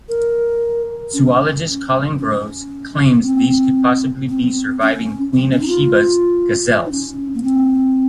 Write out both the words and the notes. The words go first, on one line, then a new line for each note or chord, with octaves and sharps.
Zoologist Colin Groves claims these could possibly be surviving Queen of Sheba's gazelles.
A#4
C#4
C#4
A#3
C4
C4
C#4
C4
C#4
D#4
F4
D#4
C#4
A#3
C4